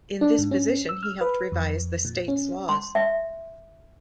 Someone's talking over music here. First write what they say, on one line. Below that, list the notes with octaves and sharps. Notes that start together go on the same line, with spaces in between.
In this position he helped revise the state's laws.
D4
G#2
C#4
E6
F6
B4
F2
A#2
C#4
C6
E5